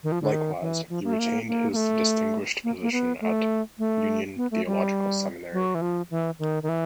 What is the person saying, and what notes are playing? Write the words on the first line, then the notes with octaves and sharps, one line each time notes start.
Likewise he retained his distinguished position at Union Theological Seminary.
D#3
F3
D3
D#3
E3
F3
A#3
A3
A#3
A#3
A#3
A3
A#3
A#3
B3
A3
A3
B3
A3
G3
F#3
E3
F3
E3
D#3
D#3
E3